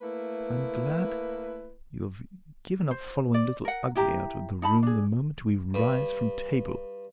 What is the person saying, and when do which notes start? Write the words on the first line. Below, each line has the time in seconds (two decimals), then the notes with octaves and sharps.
I am glad you have given up following Little Ugly out of the room the moment we rise from table.
0.02 A3 A#3 E4 B4
2.91 C5
3.34 D5
3.65 A#4 F#5
3.95 E4 G4 A#5
4.62 D#4 A5 B5
4.83 D4 G#4
5.74 G2